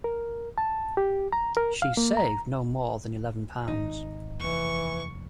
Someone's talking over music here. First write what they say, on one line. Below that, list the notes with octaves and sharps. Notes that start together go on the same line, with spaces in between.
She’s saved no more than eleven pounds.
A#4
A5
G4
A#5
A#4
F5
A#3
A#5
G#1 D#4
F1 D#2 E3 C#6